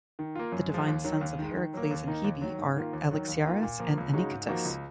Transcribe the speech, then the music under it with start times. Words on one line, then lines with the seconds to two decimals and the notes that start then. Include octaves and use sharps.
The divine sons of Heracles and Hebe are Alexiares and Anicetus.
0.19 D#3
0.35 A#3 F4
0.52 F#2
0.69 F3 G#3
0.88 D#2
1.04 D#3 F#3
1.21 D#2
1.39 D#3 G#3
1.57 D#3
1.74 F#3 A#3
1.91 D#2
2.07 D#3 A#3 D#4
2.24 D#2
2.42 D#3 F#3
2.59 G#2
2.76 D#3 A#3 F4
2.93 D#2
3.11 D#3 F#3
3.28 D#2
3.45 D#3 A#3 F4
3.63 A#2
3.80 F3 A#3
3.97 C#2
4.14 C#3 G#3 D#4 F#4
4.31 G#2
4.48 F3 A#3 D#4 F#4
4.65 C#2